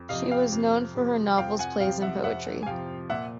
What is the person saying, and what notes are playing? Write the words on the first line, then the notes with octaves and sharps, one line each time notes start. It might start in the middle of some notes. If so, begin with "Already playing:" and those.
She was known for her novels, plays and poetry.
Already playing: F2
C3 F3 D#5 F5
F5 G5
F2
C3 F3
F2 F5 G5
F#5 G#5
C3 F3 F5 G5
E5 F#5
F2 E5 F#5
G#5
C3 F3 F5 G5
A#2 E5 F#5